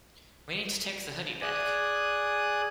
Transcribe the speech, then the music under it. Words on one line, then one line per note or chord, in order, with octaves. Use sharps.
We need to take the hoodie back!
G#4 D5 G#5 D#6 F#6